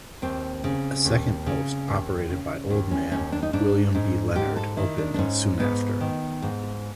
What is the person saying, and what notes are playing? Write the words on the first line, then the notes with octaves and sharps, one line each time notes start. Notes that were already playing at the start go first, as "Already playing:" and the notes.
A second post operated by "Old Man" William B. Leonard opened soon after.
D#2 C4
C#3
D#2
C#3
D#2
C#3
D#2
C#4
D#2 C#4
D4
D#4
G#2 D4
G#2
G#2 G4
A4
D#3 E4
D4
D4
G#2 C#4
G#2 B3
D#3
G#2